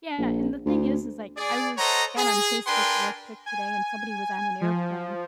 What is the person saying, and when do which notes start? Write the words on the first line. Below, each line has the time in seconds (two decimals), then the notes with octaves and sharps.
Yeah, and the thing is, is, like, I wa got on Facebook real quick today, and somebody was on an airplane
0.18 A#1
0.66 D2
1.36 G#4 D5
1.78 A4 C5 C#5 D#5 F#5 A#5
2.17 G#4
2.67 D4 A#4 B4 G5 G#5 C6
3.46 G#5
4.61 F3